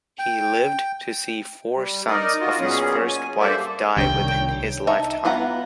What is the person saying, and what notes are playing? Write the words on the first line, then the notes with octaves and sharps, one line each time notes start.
He lived to see four sons of his first wife die within his lifetime.
G5
G3
D#4 A#4 D5 D#5
F4 F#4 D#5
A#2 F#3 B3 C#4 G#4
G#5
G2 A#3 A4 C5 D5 E5
C2 D#3 G3 D4 C#5 G5
D#4 A4 E5
F#3 B3 F4 F#5 A#5